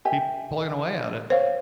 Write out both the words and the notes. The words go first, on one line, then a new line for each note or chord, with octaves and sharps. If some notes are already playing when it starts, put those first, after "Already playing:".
keep plugging away at it.
G4 E5 G#5
C5 C#5 F5